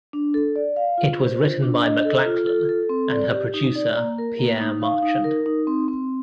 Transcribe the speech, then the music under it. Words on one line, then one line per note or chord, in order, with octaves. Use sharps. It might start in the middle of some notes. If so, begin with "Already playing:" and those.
It was written by McLachlan and her producer Pierre Marchand.
D4
A4
D5
F5
F4
C5
F4
D4
D#5
A4
F4
A4
A4
C4
D5
G4
D#4
D5
A#3
A#4
A#3
D#4
F5
D#4
A#4
D#4
C4
C4